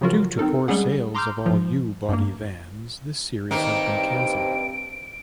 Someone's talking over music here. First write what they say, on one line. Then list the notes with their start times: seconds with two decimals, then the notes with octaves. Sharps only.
Due to poor sales of all U-Body vans, this series has been cancelled.
0.01 C#3 F3 F#3 F4 F#4 A#4
0.38 C4 D#4 A4 A#4
0.68 G3 G#3 C#4 G#4 F#5
1.15 A#5 C6 D6 E6 F6 G6
1.46 G#2 F3
2.09 G2 A#3
3.51 G2 D#3 A#3 C4 D#4 D7